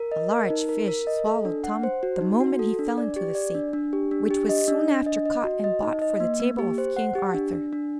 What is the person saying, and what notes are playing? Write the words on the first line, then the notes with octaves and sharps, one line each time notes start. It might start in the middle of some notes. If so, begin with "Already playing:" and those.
A large fish swallowed Tom the moment he fell into the sea, which was soon after caught and bought for the table of King Arthur.
Already playing: A#4
D#5
A#4
D#4
A#4
A#4
D#5
A4
D4
F#5
C5
F#4
D#4
F#4
A4
D4
D5
G4
D5
D4
D4
G4
D4
G4
D#5
D4
D4
D#5
D#5
F#4
D#5
D#4
D#5
A#3
A#3
G4
C5
F#5
G4
D4
D4
D4